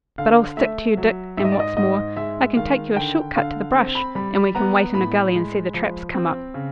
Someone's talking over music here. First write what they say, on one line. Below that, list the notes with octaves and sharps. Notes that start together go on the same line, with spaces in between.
But I'll stick to you, Dick, and, what's more, I can take you a short cut to the brush, and we can wait in a gully and see the traps come up.
D3 F5
A3 E5
F#3
G#2 E5
D#5
D5
D#5
G#2 D#5
G#3 E5
D#3 F5
D3 G5
D3 F5
C4
B5
G3 B5
B5
B3 A#5
A2 B5
G#3
F3
C4
C#3